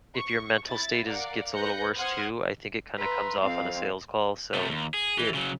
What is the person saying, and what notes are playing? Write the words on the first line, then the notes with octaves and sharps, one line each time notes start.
if your mental state is gets a little worse, too, I think it kinda comes off on a sales call, so, it
C#6
E4 A6
A#4 D5 F5 F#5
B4 F#6 G6 A#6 C#7
C5 F#5 C6 D#6 F6 G#6
B4 E5 A#5 C6
F2 C4 F5
C3 A3
D#2
G#4
E3
C#3 F#3